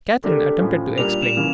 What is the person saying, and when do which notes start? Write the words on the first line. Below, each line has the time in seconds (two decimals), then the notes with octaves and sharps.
Catherine attempted to explain.
0.24 D3 A3 D4 G4 A#4
0.60 A2 F3 C#4
0.98 A#2 G3 D4 G4 A#4 F7
1.10 F7
1.22 E7
1.36 C#3 E3 A#3 C#4